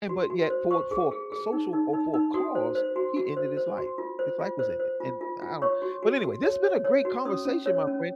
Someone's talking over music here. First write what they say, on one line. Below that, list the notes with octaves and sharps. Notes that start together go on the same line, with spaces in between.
and but yet for for social, or for a cause, he ended his life, his life was ended, and I don't But anyway, this has been a great conversation, my friend.
F#4
F#4
C5
C5 C#6
G#4
G#4
G#4
D#4
D#4
D#4
D#4
F#4 D#6
C5
C5
F#4
F#4
C5
C5
F#4
F4
C5
F4
C5
C5
F4
F4
F4
C#5 C#6
F#4
F#4
F#4
C#5
C#5
C#5
F#4
C#4 D#6
C#4
C#5
C#4